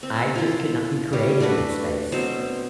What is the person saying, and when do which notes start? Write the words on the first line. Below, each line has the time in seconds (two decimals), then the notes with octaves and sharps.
I just could not be creative in that space.
0.03 C4
0.35 E4 F4
1.13 G3 C#4
1.40 A3 D4 F#4 B4
2.12 B2 F#3 C4 C5